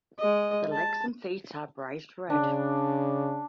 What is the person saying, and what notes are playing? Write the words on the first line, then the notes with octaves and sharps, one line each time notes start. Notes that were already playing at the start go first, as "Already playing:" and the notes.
The legs and feet are bright red.
G#3 D#5
A5
C#3 D4